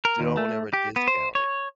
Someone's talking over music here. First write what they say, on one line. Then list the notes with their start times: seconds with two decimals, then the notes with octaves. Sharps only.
Don't ever discount it.
0.05 A#4
0.19 D#2
0.37 A3
0.73 G4
0.96 B3
1.08 C5
1.35 C#5